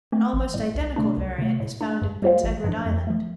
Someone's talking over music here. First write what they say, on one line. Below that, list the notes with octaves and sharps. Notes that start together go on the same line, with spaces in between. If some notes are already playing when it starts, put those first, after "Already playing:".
An almost identical variant is found in Prince Edward Island.
A3 C4
A1
A2 G3
C2
C3 A3 D4
C2
C3 A3
A2
A3 D4
G2
G3 F4 C5 F5
A1
G2 F3 D4
F2
F3 A3